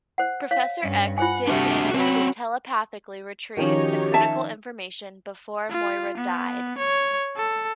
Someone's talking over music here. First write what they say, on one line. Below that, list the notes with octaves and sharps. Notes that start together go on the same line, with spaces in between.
Professor X did manage to telepathically retrieve the critical information before Moira died.
C5 F#5
C#5 F5
G2 C#4
F4 C5 F#5 G#5
C3 G3 A3 D4 F#4 F#5
F#3 C4 C#4 B4 F#5 B5
D#3 F3 C#4 D#4 F#4 G4 C#5
E5 A5
F4
B3
C#5
A4